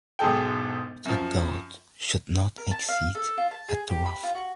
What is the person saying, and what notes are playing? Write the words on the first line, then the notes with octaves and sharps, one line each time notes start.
The outer coat should not exceed at the ruff.
E1 B1 G#2 G#4 A4 G5
F#2 F3
A#4
A5
F5
A4
F4
A5
G#4
G4
B5
F4
F#4